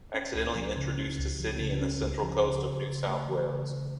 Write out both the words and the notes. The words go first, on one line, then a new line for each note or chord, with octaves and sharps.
Accidentally introduced to Sydney and the Central Coast of New South Wales.
C#4
C#2
F3
C#3
C#4
C#2
F3
C#3
C#4
C#2
F3
C#3
C#3
C#3
A3
E3
C#3
C#3